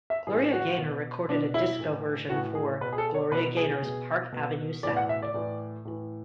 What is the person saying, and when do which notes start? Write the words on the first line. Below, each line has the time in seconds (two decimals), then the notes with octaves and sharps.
Gloria Gaynor recorded a disco version for "Gloria Gaynor's Park Avenue Sound".
0.10 E5
0.27 A2 E3 G#4
0.53 F#4
0.78 B2
1.29 B2 D4
1.54 E4
1.79 A2 E3
2.29 A2 E3 F#4
2.55 G#4
2.81 B2 B4
2.93 G#4
2.98 A4
3.14 C#5
3.32 B2 B4
3.57 G#4
3.82 B2
4.32 B2
4.83 A2 E3 D5
4.96 F#5
5.09 E5
5.22 D5
5.34 A2 E3
5.85 A2 E3